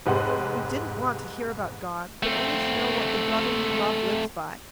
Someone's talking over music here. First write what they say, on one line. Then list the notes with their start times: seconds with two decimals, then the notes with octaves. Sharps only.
You didn't want to hear about God, but only to know what the brother you love lives by.
0.06 F1 G#2 G4 B4 F#5 C6
2.23 A3 C4